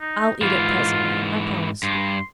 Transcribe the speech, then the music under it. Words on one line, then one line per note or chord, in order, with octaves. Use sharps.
I'll eat it presently; I promise you.'
D#4
G#2 E3 F4
G2 C6